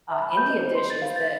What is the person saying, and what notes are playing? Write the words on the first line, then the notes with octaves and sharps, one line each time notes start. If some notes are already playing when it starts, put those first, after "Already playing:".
uh, Indian dishes that,
E5
B5
G6
D#5
C5
C6
A6
F5
A6